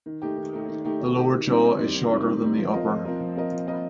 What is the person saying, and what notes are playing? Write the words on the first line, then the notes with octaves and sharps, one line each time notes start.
The lower jaw is shorter than the upper.
D#3
A3 D#4 G4
D#3
A3 D#4 G4
D#3
A3 D#4 G4
D#3
A3 D#4 G4
D#3
G3 C4 D#4
D#3
G3 C4 D#4
D#3
G3 C4 D#4
D#3
G3 C4 D#4
F3
C4 F4 A#4 D#5
F3
C4 F4 A#4 D#5
F3
C4 F4 A#4 D#5
F3
C4 F4 A#4 D#5